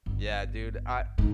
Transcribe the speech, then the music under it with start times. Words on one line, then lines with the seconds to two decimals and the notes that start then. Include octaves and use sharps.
Yeah, dude, I
0.06 G1
1.18 G#2